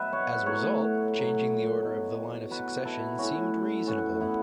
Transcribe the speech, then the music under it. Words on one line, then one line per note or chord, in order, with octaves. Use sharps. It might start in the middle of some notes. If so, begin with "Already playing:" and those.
As a result, changing the order of the line of succession seemed reasonable.
Already playing: B2 F#3 B4 E5
C#5 F#5
A2 F#3 C#5 F#5
A2 F#3
B2 F#3
B2 F#3 F#4 B4
E4 A4
A2 E3 C#4 F#4
A2 E3 C#4 F#4
B3 E4